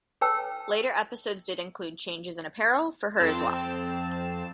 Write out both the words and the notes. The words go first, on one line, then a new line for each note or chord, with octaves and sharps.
Later episodes did include changes in apparel for her as well.
A4 B4 C#5 G5 A5 E6
F2 C4 A5 E7